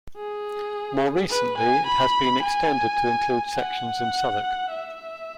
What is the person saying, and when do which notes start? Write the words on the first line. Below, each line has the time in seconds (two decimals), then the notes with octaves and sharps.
More recently it has been extended to include sections in Southwark.
0.17 G#4
1.30 B4
1.58 G#5
1.87 B5
2.43 G#5
3.56 F#5
4.71 E5